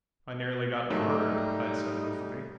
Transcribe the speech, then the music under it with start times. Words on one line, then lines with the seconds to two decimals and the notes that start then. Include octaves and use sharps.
"I nearly got murdered," I said ruefully.
0.90 G#2 F#3 G3 A3 A#3 D#4